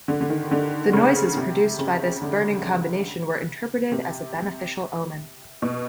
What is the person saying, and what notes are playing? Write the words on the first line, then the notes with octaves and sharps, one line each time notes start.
The noises produced by this burning combination were interpreted as a beneficial omen.
D3
D3
D#3
D3
C#3
C3
C#3
D3
C3
B2